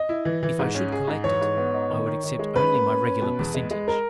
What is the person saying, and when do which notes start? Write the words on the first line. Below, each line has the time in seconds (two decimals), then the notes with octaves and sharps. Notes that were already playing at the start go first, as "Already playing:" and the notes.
If I should collect it, I would accept only my regular percentage.'
Already playing: D#5
0.09 E4
0.25 E3
0.43 E3
0.59 G#2
0.75 C#4
0.92 G#4
1.08 G#2
1.24 E3 C#5
1.41 G#2
1.57 B3
1.74 D#4
1.90 D#3
2.06 D#3
2.24 D#3
2.39 G#3
2.56 C#4 B4
2.73 A#3
2.90 C#4
3.06 C#4
3.22 B2
3.39 E2
3.54 G#3
3.71 G#3
3.88 A#4